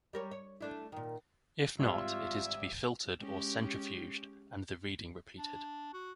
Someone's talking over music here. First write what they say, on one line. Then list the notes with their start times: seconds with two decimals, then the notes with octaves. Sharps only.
If not, it is to be filtered or centrifuged and the reading repeated.
0.13 G3 A#4 C#5
0.31 C#5
0.61 A3 D4 E4
0.92 A#2 D#3
1.80 G#1 G3 F4 E5
3.20 G#3 C#4 G4
5.39 D4
5.93 F#4